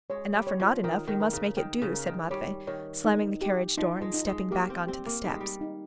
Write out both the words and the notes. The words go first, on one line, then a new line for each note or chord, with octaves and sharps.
"Enough or not enough, we must make it do," said Matvey, slamming the carriage door and stepping back onto the steps.
G#3 C#5
G3
C#5
F3
D#3 A#4
D#3
A#4
C#3
D#3 G5
C#3
A#4
D#3
G3 C#5
D#3 C#5
D#4
G4
F3 D#4
G#3
D#4
G#3
A#3 G4
C4
C4 G4
A#3
G3 D#4
G#3
G3
D#4